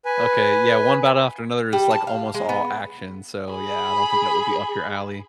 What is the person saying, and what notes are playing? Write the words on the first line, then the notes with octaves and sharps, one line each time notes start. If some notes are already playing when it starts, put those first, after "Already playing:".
Okay, yeah, One Battle After Another is, like, almost all action, so, yeah, I don't think that would be up your alley.
B4 G#5
G3
A5
F5
G#3
B3
G#4 B5